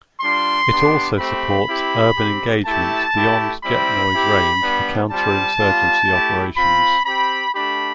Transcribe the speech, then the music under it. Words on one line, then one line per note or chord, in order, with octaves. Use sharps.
It also supports urban engagements beyond jet noise range for counter-insurgency operations.
G3 D4 F4 C6
B3 D4 G4
A3 C4 G4 B5
C4 E4 G4
C4 G4
A3 E4 G4 A5
A3 E4 G4
G3 C4 E4 B5
C4 E4 G4
G3 B3 D4
G3 C4 F4 A5
G3 B3 F4
A3 E4 G4
C4 F4 B5
C4 G4 B5
A3 D4 G4 B5